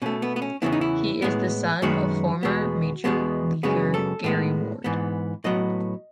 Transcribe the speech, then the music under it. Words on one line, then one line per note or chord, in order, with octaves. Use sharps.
He is the son of former major leaguer Gary Ward.
B2 A3 C#4
B3
B3
C#4
E2 C#3 E3 B3 E4
D#4
E4
A2 G#3 B3
F#2 D#3 G#3 B3 F#4
E2 B2 G#3 B3
E2 B2 G#3 B3
F#2 C#3 G#3 B3 G#4
A4
A2 G#3 B3
G#2 E3 B3
A2 F#3 B3 D#5